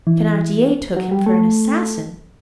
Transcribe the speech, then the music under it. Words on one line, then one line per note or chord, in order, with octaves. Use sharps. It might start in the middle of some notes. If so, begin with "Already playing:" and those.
Thenardier took him for an assassin.
E3
F#3
G3
A3